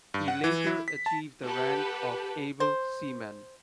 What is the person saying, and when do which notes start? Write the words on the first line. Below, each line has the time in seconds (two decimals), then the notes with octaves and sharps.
He later achieved the rank of able seaman.
0.14 G2
0.28 F#5
0.44 E3
0.67 E4
0.88 B6
1.06 A5
1.43 G4 A4 B4 F#5
2.60 C5